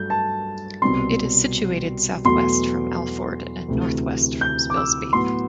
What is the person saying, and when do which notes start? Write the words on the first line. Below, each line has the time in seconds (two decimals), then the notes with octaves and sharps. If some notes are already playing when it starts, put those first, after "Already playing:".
It is situated south-west from Alford, and north-west from Spilsby.
Already playing: G2 F#3 A3 G6
0.10 A5
0.82 C2 B2 G3 C4 C6
2.25 E2 B2 F#3 A3 C6
3.69 D2 C3 E3 A3
4.41 G6
4.70 D6
4.77 E6
5.13 A2 F#3 B3 C6